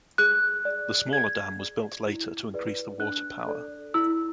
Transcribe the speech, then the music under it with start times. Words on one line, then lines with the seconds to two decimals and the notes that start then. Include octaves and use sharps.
The smaller dam was built later to increase the water power.
0.18 G#4 F#6
0.65 D5
1.12 G#4 G#6
1.59 D5
2.06 E4
2.54 G#4 B4 D5
3.00 D4 F#6
3.47 A4 D5
3.94 E4 E6